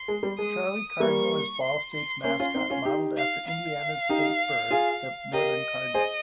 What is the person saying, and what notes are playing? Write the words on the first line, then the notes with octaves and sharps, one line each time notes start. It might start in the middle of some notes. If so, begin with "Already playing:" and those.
Charlie Cardinal is Ball State's mascot, modeled after Indiana's state bird, the northern cardinal.
Already playing: C6
G#3
G3
G#3 D#6
G3 A#3 C#6
C6
C6
A#3 C#4 C6
C#4 F4
C4 D#4
C#4 F4
D#4 G4
F5
F5
D#4 G4
F4 G#4
G4 A#4 D#5
G#4 C5